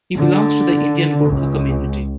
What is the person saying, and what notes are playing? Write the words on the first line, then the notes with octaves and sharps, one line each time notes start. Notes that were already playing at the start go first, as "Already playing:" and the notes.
He belongs to the Indian Gorkha community.
D3
C#2